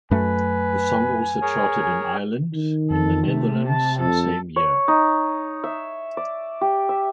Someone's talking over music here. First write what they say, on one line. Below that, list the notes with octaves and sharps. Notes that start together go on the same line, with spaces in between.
The song also charted in Ireland in the Netherlands the same year.
F#2 A3 B4 G#5
G#4 A#4 C#5
D#3
F2 A4
C3 A3
A5
F2 A4
C#5
D#4
E5
D5
G4
E5